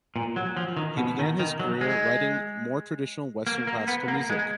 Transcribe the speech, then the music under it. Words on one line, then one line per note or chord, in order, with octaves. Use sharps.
He began his career writing more traditional Western classical music.
A#2
F#3
F3
D#3
B2
D#3
D#3
F#3
G#3
A#3
A#3
B3
A#3
G#3